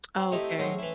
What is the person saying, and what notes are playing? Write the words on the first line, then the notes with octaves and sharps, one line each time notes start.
Oh, okay.
C4
A3 D#4 E4 G4
F#3 G#3 C#4 C5
E3 E4